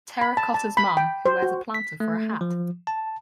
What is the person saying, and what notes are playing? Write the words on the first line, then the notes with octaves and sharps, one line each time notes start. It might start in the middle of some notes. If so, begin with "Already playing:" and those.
Terra Cotta's mom who wears a planter for a hat.
B5
A5
A5
B5
G5
C5
F#4
B6
A3
F3
A5